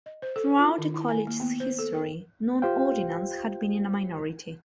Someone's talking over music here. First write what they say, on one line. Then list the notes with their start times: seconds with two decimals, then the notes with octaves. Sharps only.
Throughout the college's history, non-ordinands had been in a minority.
0.06 D#5
0.22 C5
0.36 A4
0.58 F4
0.78 D#3
0.94 E4
1.09 G#5
1.27 A#3
1.40 B3
1.60 C5
1.79 A4
1.94 G5
2.62 F4 G4 C5 F5 G5